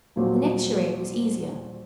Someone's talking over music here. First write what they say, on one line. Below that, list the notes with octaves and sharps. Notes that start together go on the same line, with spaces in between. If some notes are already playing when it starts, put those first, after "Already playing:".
The next charade was easier.
D#1 A#1 A#2 F#3 C4 F#4